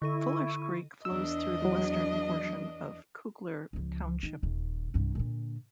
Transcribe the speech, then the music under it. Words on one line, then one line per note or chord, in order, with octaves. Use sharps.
Fullers Creek flows through the western portion of Kugler Township.
D3 E4 A4 C#6 D#7
E2 D4 D#5 E6
F#3
C#2 F3
D#3
D#1 D#3
C2 G2
A#2 D3